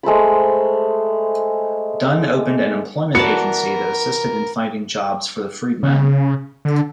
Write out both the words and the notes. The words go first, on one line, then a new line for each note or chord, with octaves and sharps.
Dunn opened an employment agency that assisted in finding jobs for the freedmen.
G#3 A3 C5 B5
E3 B3 F#4 A#4 D5 A5 C#7
C#3
D3